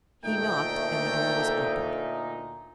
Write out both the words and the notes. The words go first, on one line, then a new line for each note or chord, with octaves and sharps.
He knocked and the door was opened.
D2 A#2 A3 D#4 G5